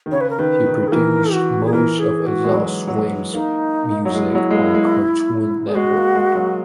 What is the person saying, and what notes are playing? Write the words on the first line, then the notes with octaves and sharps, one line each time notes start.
He produced most of Adult Swim's music on Cartoon Network.
D#3
C#3 C#5
B4
A#4
D#3 B4
D#3
G#4
E3 A#4
F#4
G#4
E3 A#4
G#4
F#4
G#3
F#3
F#3
G#3
A#3 D#4
F#3
G#3 E4
F#3
G#3
A#3
G#3
G#4
G#3 F#4
A#3
G#3
F#3